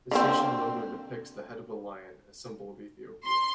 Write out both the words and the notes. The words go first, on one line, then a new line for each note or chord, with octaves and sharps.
The station logo depicts the head of a lion, a symbol of Ethiopia.
D3 A#3 C4
C6